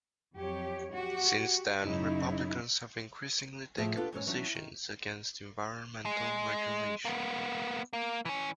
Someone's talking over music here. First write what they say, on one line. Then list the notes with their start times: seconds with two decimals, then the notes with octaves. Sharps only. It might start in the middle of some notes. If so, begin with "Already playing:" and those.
Since then Republicans have increasingly taken positions against environmental regulation.
0.35 F2 F#3 G4 C#5
0.93 F#4 G4
1.80 F#2 C#3 D#4 E4
3.78 A2 F3 G#4 C5 E5
3.97 B3 D4 F4 G4 A4 B4
4.12 E2 G#2 C#4 C#5
4.27 E3 F#3 B3 C#4 D4
4.55 D#3
6.05 G#3
7.05 A#3 B3
7.93 A#3
8.25 E3 C#4